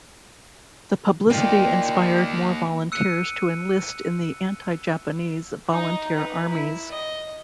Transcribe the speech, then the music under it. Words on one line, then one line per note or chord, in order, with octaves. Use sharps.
The publicity inspired more volunteers to enlist in the Anti-Japanese Volunteer Armies.
A#3 D#4 F4 D5 G5
E6 F#6 C#7 D#7
D#4 D#5
D#4 B4
E4
D#5